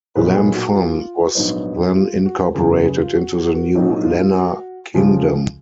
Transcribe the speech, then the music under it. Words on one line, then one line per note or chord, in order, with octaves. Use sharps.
Lamphun was then incorporated into the new Lanna Kingdom.
B1 A#2 F#3 B3 D#4 G#4 B4
G#4 B4
F#4
F#4
F4
A#1 G#2 F#3 B3 D#4
F4
F#4
F#1 F#2 C#3 F4 G#4
F#4 A#4
G#4 B4
F4
F#4
F#4
F#4 A#4
A#1 G#2 F#3 A#3 D#4 F#4
F4
F#4
C#2 C#3 F3 G#3 F4 G#4